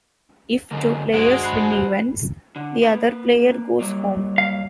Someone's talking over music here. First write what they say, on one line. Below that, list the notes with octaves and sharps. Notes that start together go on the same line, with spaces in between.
If two players win events, the other player goes home.
F#2 D3 G#3 A#3
G2 G#3 F#4 C5 F#5 D7
B5 F#6 C7
D3
A#3 B4
F#3 G3 A#3
F5